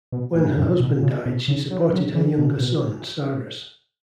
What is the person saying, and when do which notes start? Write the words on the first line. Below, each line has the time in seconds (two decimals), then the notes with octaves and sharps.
When her husband died, she supported her younger son Cyrus.
0.12 B2
0.35 A2
0.58 F#2
0.80 B2
1.03 C#3
1.26 B2
1.48 C#3
1.70 F#3
1.93 F#3
2.15 E3
2.38 B2
2.60 B2